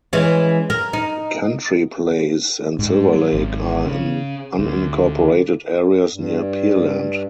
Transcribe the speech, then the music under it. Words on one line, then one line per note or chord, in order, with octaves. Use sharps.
Country Place and Silverlake are in unincorporated areas near Pearland.
E3 G#3 C#4
A#4
D#4
G#2
F#3
G#1
C#3
D2
G2